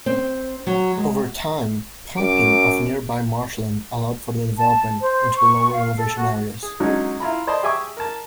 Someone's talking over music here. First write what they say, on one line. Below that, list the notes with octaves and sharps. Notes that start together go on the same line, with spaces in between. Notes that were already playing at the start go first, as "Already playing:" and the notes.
Over time, pumping of nearby marshland allowed for development into lower elevation areas.
C4
F#3
G#3
F#2 D6
A5
C5
C#6
F5
A4
F#4
G#4
D3 F#3 G#3 C#4 D#4
E4 F4 A#5 B5
C5 D5 D#5 A5 B5 C6
G4 G#4 E5 G#5 C#6 D6
A#4 A5